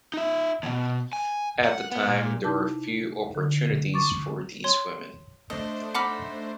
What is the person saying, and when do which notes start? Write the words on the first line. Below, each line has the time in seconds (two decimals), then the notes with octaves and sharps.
At the time there were few opportunities for these women.
0.14 D#4 E5
0.63 D#2 B2
1.13 G#5
1.64 F#5
1.92 B3
2.07 A#2
2.44 C3 D#4 E4 A5 D6 G6
3.35 D3
3.94 C#6 D6 A6
4.64 C#5 C6
5.50 A3 D4 C5 D#5
5.95 D#4 F#5 B5 D6 F6